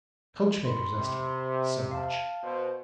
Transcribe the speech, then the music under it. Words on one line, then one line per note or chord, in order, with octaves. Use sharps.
Coach-maker's estimate, so much.
B5 C6 C#7
C3
F5 A5
B2 C5